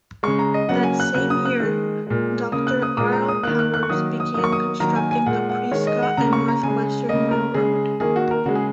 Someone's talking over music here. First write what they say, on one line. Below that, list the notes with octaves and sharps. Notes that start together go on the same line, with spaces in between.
That same year, Doctor R. L. Powers began constructing the Prescott and Northwestern Railroad.
C#3 G#3 C#6
A#5
D#5
C#3 F#3 A#3 F#5
G#5
F#6
C#3 F#3 A#3 F#6
D#6
F#6
D#3 G#3
A#2 G#3
C#3 A#3 D#6
F#6
D#6
A#2 G#3 D#6
A#5
D#6
D#3 A#3 F#6
F#6
F#6
C#6
D#3 F#3 A#3 D#6
D#6
D#3 F#3 A#3 D#6
C#6
D#6
D#3 F#3 A#3 A#5
G#5
G#5
A#2 G#3 F#5
F#5
D#3 G#3 C#5
D#5
F#5
C#3 A#3 A#5
C#6
A#5
C#3 G#3 G#5
C#3 A#3 D#5
A#4
C#3 G#3 G#4
D#3 A#3 G#4
F#4
A#4
C#3 G#3 F#4
G#4